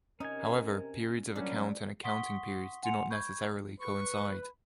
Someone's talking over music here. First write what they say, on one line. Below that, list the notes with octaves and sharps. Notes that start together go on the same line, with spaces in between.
However, periods of account and accounting periods do not necessarily coincide.
C3 C#4 D#4 A#4 G#5
A#2 E3 F#3 G3 C#4 D4
F#5 C6 C#6 D#6 B6 G7
F#5 G#5 C6 C#7 F7
B5 C#6 G6 G#6
B4 C#6